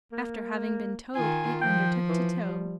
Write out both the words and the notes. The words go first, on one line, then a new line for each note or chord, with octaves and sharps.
After having been towed, it undertook to tow.
A#3
D#3 F4 G#5
F3 G5
E3
G3